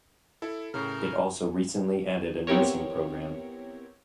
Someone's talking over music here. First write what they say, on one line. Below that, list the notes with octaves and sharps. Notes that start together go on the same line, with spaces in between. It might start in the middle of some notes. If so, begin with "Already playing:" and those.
It also recently added a nursing program.
E4 A4
A2 C#3 A#4 F6
B3 C4 E4 G4 A#4 C#5